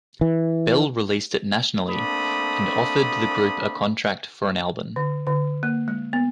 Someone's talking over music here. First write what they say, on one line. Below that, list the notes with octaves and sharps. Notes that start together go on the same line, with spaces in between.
Bell released it nationally and offered the group a contract for an album.
E3
A3 A#3 C4 D4 B5 D#6
D3
D3
A#3
G#3
B3